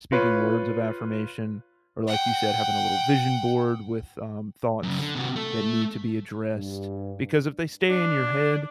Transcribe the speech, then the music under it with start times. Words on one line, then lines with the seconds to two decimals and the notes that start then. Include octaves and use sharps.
speaking words of affirmation, or like you said, having a little vision board with, um, thoughts that need to be addressed, because if they stay in your head,
0.12 F4 B4 C#5
2.07 F#5 G5
4.83 F#2 C#3
4.99 D3
5.15 C3 F#4
5.36 A3 A4
6.54 G2
7.88 D4